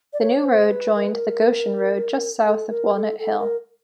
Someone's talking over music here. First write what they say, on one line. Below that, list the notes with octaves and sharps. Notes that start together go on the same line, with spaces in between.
The new road joined the Goshen Road just south of Walnut Hill.
D5
C#5
C5
B4
A#4
B4
A#4
A4
A#4
A4
A4
A#4